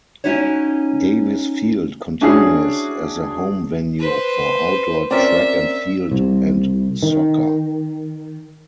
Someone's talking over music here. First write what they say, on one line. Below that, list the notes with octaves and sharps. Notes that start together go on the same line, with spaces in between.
Davis Field continues as the home venue for outdoor track and field and soccer.
C#4 D#4 E4 F#4 C#5
C#4 D4 E4 F#4 G#4
B4 C5
C4 C#4 F4 A#4 D5 E5
C2
D#3